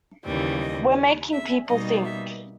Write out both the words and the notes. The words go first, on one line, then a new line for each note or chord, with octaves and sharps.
We're making people think.
D#2 C#3 E3 G3
D#5
E5
B2 G3 A#3 D#4 D#5
E5